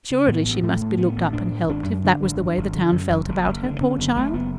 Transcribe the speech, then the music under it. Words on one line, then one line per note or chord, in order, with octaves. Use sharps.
Assuredly she must be looked up and helped if that was the way the town felt about her, poor child!
C#3
A2 B3
A1
A2 A3
A2
A2 B3
A1
A2 D4
A2
G#1 D4
F#2
D3 D4
G#1
F#2
G#1
D3
F#2
F#1
F#1
F#1
D3
D3 C#4
F#1 B3
F#1 A3
F#1 B3